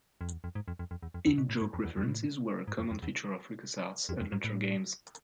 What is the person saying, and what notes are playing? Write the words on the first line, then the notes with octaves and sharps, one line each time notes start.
In-joke references were a common feature of LucasArts adventure games.
F2
E2
F2
G#2
F2
F2
F2
E2
F2
E2
B2
A2
G#2
F2
E2
F2
B2
A2
G#2
F2
F2
E2
F2
F2
G#2
A2